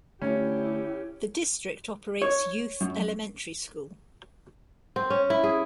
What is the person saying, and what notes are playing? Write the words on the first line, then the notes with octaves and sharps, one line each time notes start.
The district operates Youth Elementary School.
D3 A3 C#4 E4 G4
C#5
F#2
C4
C#4
E4
G#4